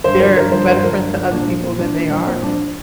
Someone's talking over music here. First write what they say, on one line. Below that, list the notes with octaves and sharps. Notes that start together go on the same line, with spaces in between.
they're a better friend to other people than they are
G2 C5
D3 F3 C5
G2 A#4
D3 F3 C5
G2 C5
D3 F3 A#4
G2
D3 F3
A#2 D4
F3
A#2 C4
F3 D4
A#2
F3
A#2 C4
F3 D4